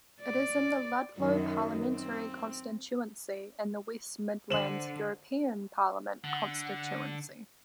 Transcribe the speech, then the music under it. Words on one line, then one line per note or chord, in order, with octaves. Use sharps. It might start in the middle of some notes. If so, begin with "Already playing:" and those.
It is in the Ludlow parliamentary constituency and the West Midlands European parliament constituency.
D5
F#2 D#3 F#3
C4
D3 C5 E7 F#7
D3 F#5